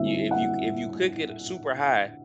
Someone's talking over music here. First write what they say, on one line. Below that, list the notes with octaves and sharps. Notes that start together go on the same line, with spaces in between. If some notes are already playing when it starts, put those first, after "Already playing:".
You if you c if you cook it super high,
Already playing: D3 G3 C4 E4 E5
F#5